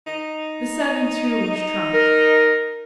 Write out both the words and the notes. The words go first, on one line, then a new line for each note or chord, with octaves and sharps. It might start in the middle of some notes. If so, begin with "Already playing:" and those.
The seven too was trumped.
D#4
D#4
A#4